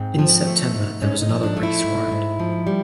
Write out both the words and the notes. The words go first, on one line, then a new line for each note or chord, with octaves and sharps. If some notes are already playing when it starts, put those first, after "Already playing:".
In September there was another race riot.
Already playing: G#2 C4
F3
A3
G#2
G#2 C#4
D#4
F3
D4
A3
E4
G#2
G#2
F3
G3